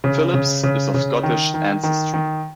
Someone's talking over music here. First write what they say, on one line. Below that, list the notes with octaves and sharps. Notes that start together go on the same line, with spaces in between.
Phillips is of Scottish ancestry.
C#3
C#3
C#3
C#3
D#3
D#3
D#3
D#3